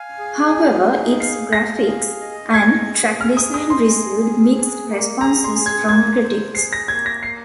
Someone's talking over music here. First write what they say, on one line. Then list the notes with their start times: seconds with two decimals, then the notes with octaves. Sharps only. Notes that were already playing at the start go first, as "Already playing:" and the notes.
However, its graphics, and track design received mixed responses from critics.
Already playing: F5 G#5
0.19 G#4
0.53 D#4
0.86 G#4
1.20 F5 C7
1.53 F5 A#6
1.87 G#4
2.20 D#5
2.54 D#5 G#6
2.87 G#4
3.21 G#4 F6
3.37 D#6
3.54 D#5 D#6
3.70 C6
3.87 G#4
4.21 G#4
4.54 G#4
4.89 A#3
5.21 G#4 A#5
5.44 C6
5.54 G#4
5.66 G#6
5.88 A#3 G#6
6.22 C5
6.55 G#4 C7
6.73 A#6
6.88 A#3 G#6
7.06 A#6
7.22 A#3 C7